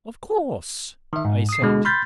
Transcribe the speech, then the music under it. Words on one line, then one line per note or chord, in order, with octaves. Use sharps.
"Of course," I said.
D#3 E5
G#2
D#6 C7
B2 D3 G#3
B5 C6 F6 G6 A6 B6